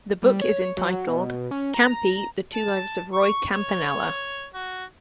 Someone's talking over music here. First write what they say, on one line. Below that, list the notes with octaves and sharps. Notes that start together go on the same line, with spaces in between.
The book is entitled "Campy - The Two Lives of Roy Campanella".
G3
C#5
F#3
B2
C#4
A#5
A5
C#6
C#5
F#4